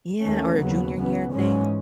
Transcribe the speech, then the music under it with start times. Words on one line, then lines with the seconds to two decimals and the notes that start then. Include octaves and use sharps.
yeah, or a junior year thing.
0.23 D#2 D#3 A3 C#4
0.59 D#2 C#3 F#3 B3
0.96 C#2 C#3 E3 B3
1.33 G#2 E3 G#3 C#4